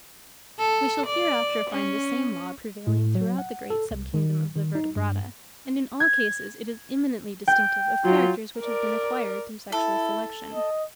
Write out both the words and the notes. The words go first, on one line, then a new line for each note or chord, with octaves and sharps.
We shall hereafter find the same law prevailing throughout the great sub-kingdom of the Vertebrata; and in all cases it is eminently distinctive of characters which have been acquired through sexual selection.
A4
D5
C#4
A2
F#3
F#5
A4
C2
D#3
D#3
D#4
G2
G#6
G5
F#3 F4
A#4 D5
E4 A4
D#5